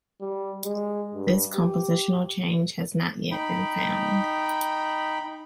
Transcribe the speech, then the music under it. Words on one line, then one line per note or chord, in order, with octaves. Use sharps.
This compositional change has not yet been found.
G3
G#3
G2
G4
D#4 G5 B5